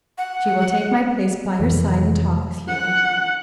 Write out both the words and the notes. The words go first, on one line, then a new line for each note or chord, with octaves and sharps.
"She will take my place by your side and talk with you."
F#5
F2 C3 E3 F3
F#5